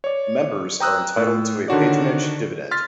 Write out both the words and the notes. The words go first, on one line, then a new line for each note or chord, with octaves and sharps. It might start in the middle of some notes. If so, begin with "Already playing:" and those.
Members are entitled to a patronage dividend.
C#5 D5
G5 A#5 D#6 E6 F#6
A2
D3 D#3 D4 F#4 C#5 D5
C6 F6 A6 B6